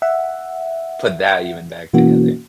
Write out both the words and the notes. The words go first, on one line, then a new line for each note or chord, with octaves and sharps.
put that even back together.
E5 F#5
B2 E3 A#3 C#4 F#4